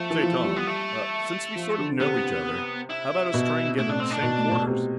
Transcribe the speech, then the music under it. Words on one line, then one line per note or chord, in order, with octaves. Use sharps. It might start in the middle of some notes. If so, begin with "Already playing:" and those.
"Say, Tom--ah, since we sort of know each other, how about us trying to get in the same quarters?"
Already playing: F3 A3
E3
F3
G3
B3
A3
F3
D3
C3 B3
E4
B2
A2 E4
D4
C4
D4
B2
A2
B2
C3